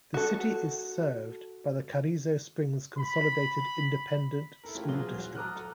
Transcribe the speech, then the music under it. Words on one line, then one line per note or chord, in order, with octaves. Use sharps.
The city is served by the Carrizo Springs Consolidated Independent School District.
F#4 A4
B5
E4 A4 A#4
G#3 A3 C#4 E4 F4 G4
D#1 F#3 F4 G#4 G7
F#3
A5 A#5 D6 D#6 F6 F#6
A4